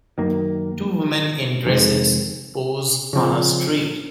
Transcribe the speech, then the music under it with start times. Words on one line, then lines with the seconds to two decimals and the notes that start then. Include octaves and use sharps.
Two women in dresses pose on a street.
0.18 F#2 D#3 A#3
1.66 F2 C3 D#3 G#3
3.13 C#3 F3 C4